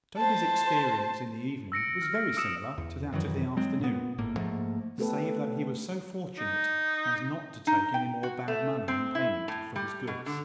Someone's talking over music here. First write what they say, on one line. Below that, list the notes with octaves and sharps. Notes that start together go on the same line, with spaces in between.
Toby's experience in the evening was very similar to that of the afternoon, save that he was so fortunate as not to take any more bad money in payment for his goods.
C5 A5
E6 A#6 C#7 D7
F6
D#6 E6 C#7 D7 E7
E2
F#2 D#3 E3 F#3
F#3 G#3 C4
A#2 B3
G#1 A2 A#3
G#2 F3 A3 A#3
A3 B3 G4 A4 B4
D#4
D#4
G5
F#4
A3
C4
E4
A2
G3
B2
D3